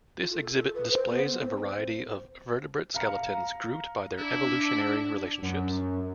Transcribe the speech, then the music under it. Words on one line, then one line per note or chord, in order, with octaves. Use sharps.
This exhibit displays a variety of vertebrate skeletons grouped by their evolutionary relationships.
F4
A4
A4
B4
C5
B3
C5
C4
C5
F5 A#5 C#7
D4 E4
F#2